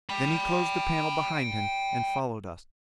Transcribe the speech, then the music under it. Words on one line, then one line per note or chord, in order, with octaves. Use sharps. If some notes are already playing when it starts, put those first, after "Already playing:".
Then he closed the panel behind him and followed us.
G5 B5